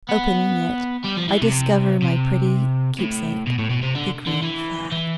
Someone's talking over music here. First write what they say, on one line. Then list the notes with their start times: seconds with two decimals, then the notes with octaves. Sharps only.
Opening it, I discover my pretty keepsake--the green flag!
0.09 B3
1.05 G3
1.17 F3
1.29 E3
1.42 C3
2.02 C3
2.99 A2
3.47 B2
3.59 A2
3.70 B2
3.82 C3
3.95 D3
4.27 D3
4.43 E3
4.92 E3